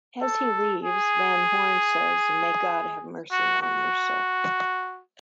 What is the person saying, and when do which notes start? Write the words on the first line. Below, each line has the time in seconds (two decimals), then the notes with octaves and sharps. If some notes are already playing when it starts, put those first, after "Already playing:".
As he leaves, Van Horn says, May God have mercy on your soul.
0.22 A4
0.83 G#4
3.32 F#4
3.62 F#4